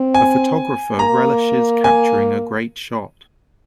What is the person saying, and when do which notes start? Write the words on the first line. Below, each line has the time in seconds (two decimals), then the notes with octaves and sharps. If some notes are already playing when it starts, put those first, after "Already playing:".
A photographer relishes capturing a great shot.
Already playing: C4
0.15 G#5
0.99 A#3 A#5
1.84 G#5